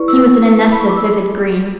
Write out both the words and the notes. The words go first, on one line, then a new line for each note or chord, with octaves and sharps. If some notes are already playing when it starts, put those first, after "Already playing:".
He was in a nest of vivid green.
Already playing: E4 B4 D5 C#6
E6
B5
C#6
D6
E6